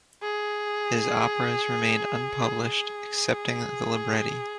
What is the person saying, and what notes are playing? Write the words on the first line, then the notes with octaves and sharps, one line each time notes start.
His operas remained unpublished, excepting the libretti.
G#4
G#4